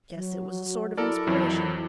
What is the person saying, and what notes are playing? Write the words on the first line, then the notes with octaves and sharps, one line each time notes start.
Guess it was a sort of inspiration.
F#3
E4 A4 A#4 D5
F2 E3 F#3